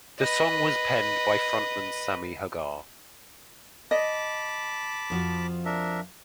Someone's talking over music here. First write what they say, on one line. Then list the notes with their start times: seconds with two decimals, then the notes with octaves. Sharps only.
The song was penned by frontman Sammy Hagar.
0.20 B4 D#5
3.91 D#5 A5 B5 D6
5.10 F2 F3 F#4
5.65 D4 A#4 E5